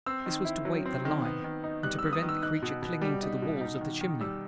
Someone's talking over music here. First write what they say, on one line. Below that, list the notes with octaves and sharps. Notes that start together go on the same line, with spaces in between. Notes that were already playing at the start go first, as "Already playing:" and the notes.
This was to weight the line and to prevent the creature clinging to the walls of the chimney.
C4 E6
D#3
E4
F#3
C4
D#3
B3
D#3
D#4
G3 F#6
B3 E6
D#6
D#3
E6
D#4 F#6
B2
B2
G3
D#4
B2
D#4
D#3
D#3
G3 E6